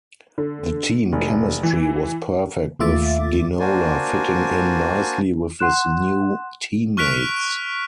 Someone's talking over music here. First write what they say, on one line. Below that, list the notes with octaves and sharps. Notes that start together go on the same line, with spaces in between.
The team chemistry was perfect with Ginola fitting in nicely with his new teammates.
D3
F1
E3
D#2 A3 F4 E5 D6 A6
A#3 D4 F#4 C5 D5 G#5
F#5 C6 F#6 E7
C#6 F6 F#6 B6 D7 F7